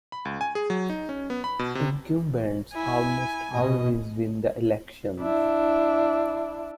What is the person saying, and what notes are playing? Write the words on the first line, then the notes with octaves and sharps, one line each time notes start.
Incumbents almost always win the elections.
B5
C#2
G#5
G#4
F#3
D#4
C#4
B3
B5
B2
C3
E4 G#5
B2 D#5
D4 E4